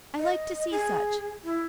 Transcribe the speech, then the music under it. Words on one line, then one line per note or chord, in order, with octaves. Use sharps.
I like to see such.
D#5
G#4
E4